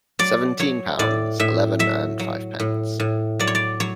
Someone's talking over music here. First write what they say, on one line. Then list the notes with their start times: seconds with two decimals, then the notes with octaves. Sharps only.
Seventeen pounds eleven and fivepence.
0.19 F#3 D5
0.59 F#3 C#5
0.99 A2 D5
1.40 A2 E5
1.79 F#3 E5
2.20 F#3
2.60 A2
3.00 A2
3.39 F#3 D5
3.47 C#5
3.55 D5
3.80 F#3 C#5